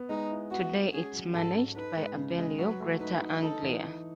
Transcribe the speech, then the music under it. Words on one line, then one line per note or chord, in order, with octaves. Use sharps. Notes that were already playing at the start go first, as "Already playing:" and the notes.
Today it is managed by Abellio Greater Anglia.
Already playing: B3
G#3 D#4
E4
B3 F#4
G#3
C#4 G#4
F#3
G#2 A4
C#4
D#4 B4
G#3
C#3
G#3
F#3 B4
A3
D#4 B4
D#4
D#4 A4
E3
D#4